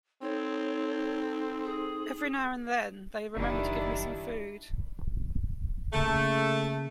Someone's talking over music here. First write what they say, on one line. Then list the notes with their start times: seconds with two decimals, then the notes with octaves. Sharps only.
Every now and then they remember to give me some food.
0.22 C4 D#4 A4 C#5
1.64 G#4
3.36 F#1 D#3 G3 D4 E4
5.93 C#3 A3 A#3